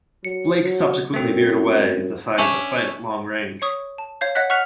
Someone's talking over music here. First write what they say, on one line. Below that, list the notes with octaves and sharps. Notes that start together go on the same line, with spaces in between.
Blake subsequently veered away and decided to fight at long range.
F#3 C#7
F#3
F#2 A3 C4
C#4 D4 E5
C#5 C#6 D#6
A5
C#5 F5 G6
C#5 D#5 F#5 F#6 B6
F#5 C#6 F6 F#6 B6 F7